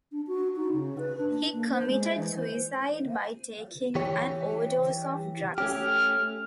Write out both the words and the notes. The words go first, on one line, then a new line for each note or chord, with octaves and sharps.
He committed suicide by taking an overdose of drugs.
D4
F#4
D#4
C#3
B4
D4
A#3
C5
G#3
E3
C5
E3 G4 C#5
A3 C#4 G4 F6